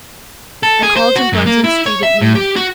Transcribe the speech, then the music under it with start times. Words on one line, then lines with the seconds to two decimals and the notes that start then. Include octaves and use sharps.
I called in Bruton Street at noon.
0.63 A4
0.83 G#4
0.96 C5
1.16 F#4
1.33 F#2
1.46 A#3
1.64 E4
1.86 C#5
2.03 E5
2.21 A2
2.35 G4
2.56 F#4